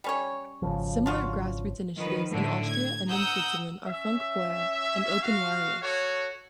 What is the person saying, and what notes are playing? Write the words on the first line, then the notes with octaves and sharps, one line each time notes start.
Similar grassroots initiatives in Austria and in Switzerland are FunkFeuer and Openwireless.
G3 C#4 C#5
G#1 C#3 F3
D4 F4 F#4
D#3 F3 B4
A2 D3 A3
G#6
F#5 A#5 D#6 E6 G6
C#4 E5
F#4 F5
F#4 A4 C#5